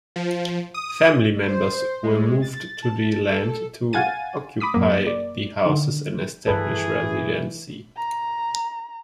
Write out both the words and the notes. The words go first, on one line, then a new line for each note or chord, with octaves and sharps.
Family members were moved to the land to occupy the houses and establish residency.
F3
D#6
C5
G#3
A6
A5
A4
F5 F#5 G#5 G#6 A6 D#7
B5 D6 D#6 B6
F#2 A#3
D5
D3 D#3
G2 D#3 E3 G#4 A4 B4
A#5